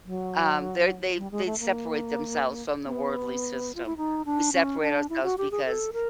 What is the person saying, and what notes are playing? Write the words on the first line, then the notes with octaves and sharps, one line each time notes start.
um, they're they they separate themselves from the worldly system. We separate ourselves, because
F#3
G3
G#3
A3
A#3
B3
F4
E4
D#4
D4
C#4
D4
E4
F#4
G4
G#4
A4
A#4